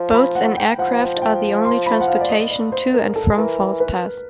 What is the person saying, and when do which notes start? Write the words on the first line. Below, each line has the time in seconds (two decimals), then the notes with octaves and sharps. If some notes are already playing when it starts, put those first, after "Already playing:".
Boats and aircraft are the only transportation to and from False Pass.
Already playing: F3
0.14 B5
0.35 F#5
0.57 G5
0.79 F3 F#5
1.22 G5
1.65 C6
1.86 B5
2.01 F#5
2.08 F5
2.21 D5
2.29 D#5
2.51 D5
2.72 C5
2.94 A#4
3.16 A4
3.37 E3 A#4
3.80 B4